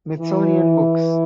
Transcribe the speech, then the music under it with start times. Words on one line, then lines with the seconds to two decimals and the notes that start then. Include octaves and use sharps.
Smithsonian Books.
0.20 E3